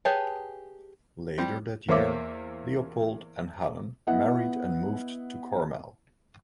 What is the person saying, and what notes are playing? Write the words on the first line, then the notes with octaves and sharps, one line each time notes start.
Later that year Leopold and Helen married and moved to Carmel.
G4 G#4 B4 C#5 A5
G3 C4
E2 A#3 C5 C#5 E5 D6
B3 E4 D#5 F#5